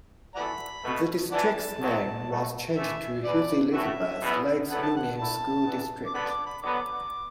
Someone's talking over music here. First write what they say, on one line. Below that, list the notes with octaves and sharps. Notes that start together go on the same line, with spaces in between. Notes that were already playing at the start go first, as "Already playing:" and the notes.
The district's name was changed to Hughes-Elizabeth Lakes Union School District.
E3 B3 F#4 A4 D5 F#5 B5
B2 A3 F#4 B4
E3 B3 D4 D5 F#5 A5
E2 D3 F#3
B2 F#3 A3 F#4
E3 A3 E4 B4 E5
E2 E3 D4 B4 D5
A2 E3 A3 F#4 B4 E5
E2 B2 B3 E4
A2 F#3 B3 E4 A4 F#5
A5
F#5
D3 A3 E4 A5
E3 B3 D4 A4
D6
D3 B3 D4 B5
D6
B5
D3 F#3 B3 D6